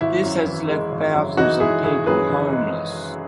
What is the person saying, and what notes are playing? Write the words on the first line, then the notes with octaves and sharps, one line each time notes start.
This has left thousands of people homeless.
G#1 E4
F#2
E3
G#3
G#1
F#2
E3 D#4 F#4
G#3 E4 G#4
G#1 E4 G#4
F#2 G#4 B4
E3
G#3